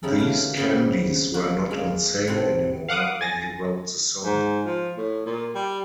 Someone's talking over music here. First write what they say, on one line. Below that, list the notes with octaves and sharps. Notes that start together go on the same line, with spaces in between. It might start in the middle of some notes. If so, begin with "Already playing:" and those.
These candies were not on sale anymore when he wrote the song.
C#3 G3 D#4 E4 G#4 A4
D3 E3 F#3 F5 G5
C#3 E3 B3 C4
A#3 F4 F#4
G#3 F4 D5
A2 C3 C4 F#5
F5 F#5 D6 D#6
G#5 A6 A#6
G#2
F3
A2
A#2
G3